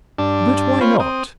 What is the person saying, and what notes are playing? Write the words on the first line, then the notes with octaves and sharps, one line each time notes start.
"But why not?"
G2 D4 A5
C4 F4 C#5 B5
C4 D#6